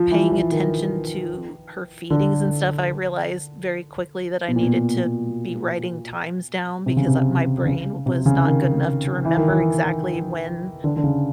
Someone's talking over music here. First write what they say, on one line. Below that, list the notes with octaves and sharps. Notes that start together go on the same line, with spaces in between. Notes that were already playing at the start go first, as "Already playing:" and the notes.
paying attention to her feedings and stuff, I realized very quickly that I needed to be writing times down because, uh, my brain was not good enough to remember exactly when
Already playing: F3
E3
E3
D#3
D3
B2
A#2
B2
C3
C#3
C3
C#3
C3
C#3
D#3
E3
D#3
E3
D3
D3
C#3